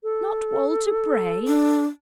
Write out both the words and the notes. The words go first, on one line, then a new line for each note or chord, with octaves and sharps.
'Not Walter Bray!
A4
D4